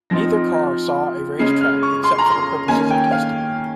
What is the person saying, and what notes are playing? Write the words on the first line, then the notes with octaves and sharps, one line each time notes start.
Neither car saw a racetrack except for the purposes of testing.
F3 C4 D#4 A#6
C#3 G#3 C#4 C7
F6
C#6
C6
A#5
C6
D#3 A#3 C#4 G#5
G5
F5